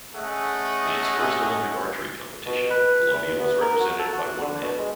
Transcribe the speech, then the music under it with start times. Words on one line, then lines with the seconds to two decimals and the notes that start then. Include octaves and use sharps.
In its first Olympic archery competition, Colombia was represented by one man.
0.15 A3 C#4 G#4 D#5 E5 F#5
2.46 B2
2.70 B4
3.13 E2
3.40 B3
3.61 A#4
3.80 F#4
3.99 A4
4.13 F#4
4.41 D3
4.62 B2
4.78 G#3